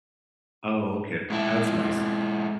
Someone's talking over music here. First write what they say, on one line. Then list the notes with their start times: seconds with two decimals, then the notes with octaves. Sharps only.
Oh, okay. That's nice.
1.30 G#2 E4